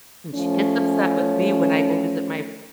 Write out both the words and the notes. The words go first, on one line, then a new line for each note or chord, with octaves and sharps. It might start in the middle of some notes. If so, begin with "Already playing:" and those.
and she gets upset with me when I go visit my
F3 A3 C#4